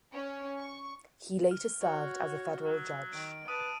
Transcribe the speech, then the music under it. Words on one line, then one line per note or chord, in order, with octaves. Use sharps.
He later served as a Federal Judge.
C#4
C#6
F6
F#4 C#5
F#3
D#3 D7
B4 A5 D#6 D7 D#7